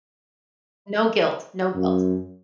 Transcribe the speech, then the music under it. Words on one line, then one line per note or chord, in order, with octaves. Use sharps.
No guilt. No guilt.
F#2